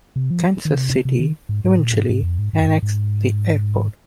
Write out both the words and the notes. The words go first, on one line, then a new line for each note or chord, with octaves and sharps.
Kansas City eventually annexed the airport.
C3
F3
D#3
C3
C3
D#3
G#2
G#2
A#2
G#2
G#2
F2
G#2
G#2
F2
G#2
G#2